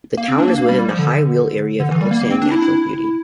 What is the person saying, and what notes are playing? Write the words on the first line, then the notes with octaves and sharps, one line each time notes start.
The town is within the High Weald Area of Outstanding Natural Beauty.
A#3
C4
D4
A#3
A#3
G3
G3
F3
D3
D3
E3
G3
A#3
A#3
C4
D4
E4
E4